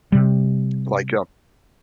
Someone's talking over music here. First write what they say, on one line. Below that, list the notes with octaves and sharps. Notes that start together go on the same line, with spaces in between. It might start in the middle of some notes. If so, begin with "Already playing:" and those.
Like, uh
C3 G3